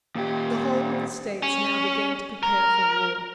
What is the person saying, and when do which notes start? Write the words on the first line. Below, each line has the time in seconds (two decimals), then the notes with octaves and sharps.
The whole of the States now began to prepare for war.
0.16 A#2 G4
1.42 C#4
2.43 A#4